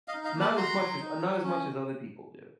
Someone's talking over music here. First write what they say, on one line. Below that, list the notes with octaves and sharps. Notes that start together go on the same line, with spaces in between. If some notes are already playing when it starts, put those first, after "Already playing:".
Not as much as uh, not as much as other people do,
D#5 F5
D#4
D#5 F5
A#3
A5 B5
F#4 A#5 C6
F#3
D#4
F#3
C#4